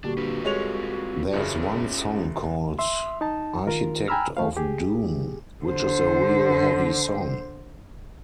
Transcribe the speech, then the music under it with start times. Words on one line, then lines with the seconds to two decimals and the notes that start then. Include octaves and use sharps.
There's one song called 'Architect of Doom', which is a real heavy song.
0.04 A#2 D3 G3 D4 F#4
0.18 C4 F4 B4
0.45 G3 G#3 A4 C#5 F7
1.33 F#1 C#3 C#4 F4 C#5
2.79 E5 C6
3.21 D#4 A5
3.67 D#3 F4 A#4
4.08 G5 G#5 A#5 B5 E6 F6
4.37 D#2 A3 F5
4.57 G4 G#4
5.64 D3 C5